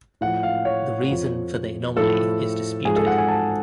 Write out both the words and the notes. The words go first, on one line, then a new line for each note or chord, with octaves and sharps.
The reason for the anomaly is disputed.
A2 F3 F#5
F5
C#5
F2 F3
A2 F3 A4
G#2 F3 G#4
A4
F#5
G#5
A5